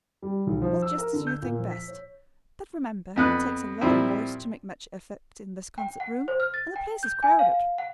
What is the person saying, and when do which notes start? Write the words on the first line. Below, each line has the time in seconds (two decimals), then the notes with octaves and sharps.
Well, just as you think best. But remember, it takes a lot of voice to make much effect in this concert-room, and the place is crowded.
0.22 G3
0.47 B1
0.62 F3
0.82 E6
0.98 A#4
1.13 D3
1.27 G6
1.42 A#2
1.58 F3
1.71 B6
1.88 C#5
3.16 F2 B3 F#6
3.81 A#2 F3 G3 C4 E4
5.78 G5
6.00 F#5
6.28 C5
6.40 F6
6.54 A6
6.76 G5
7.03 G6
7.23 G#5
7.39 F5
7.78 F#5